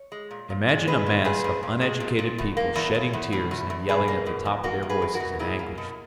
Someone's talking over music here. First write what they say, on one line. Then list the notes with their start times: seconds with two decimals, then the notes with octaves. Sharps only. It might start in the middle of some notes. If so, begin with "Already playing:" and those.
Imagine a mass of uneducated people shedding tears and yelling at the top of their voices in anguish.
Already playing: C#5
0.12 G#3
0.31 A#2
0.50 A#2
0.69 G#3
0.87 G#3 G#4 B4
1.06 A#2
1.25 A#2 G#4 B4
1.44 A#2
1.63 A#2
1.81 G#3
2.00 A#2
2.19 A#2
2.38 E2
2.57 A#3
2.75 E2
2.95 E2
3.13 E2
3.33 B2
3.51 E2
3.70 E2
3.89 B2 G#4 B4
4.08 A#3
4.26 B2
4.45 E2
4.64 A#3 F#4 A#4
4.83 E2
4.89 G#4 B4
5.02 E2
5.14 F#4 A#4
5.20 B2
5.39 A#3 E4 G#4
5.59 A#3
5.78 B2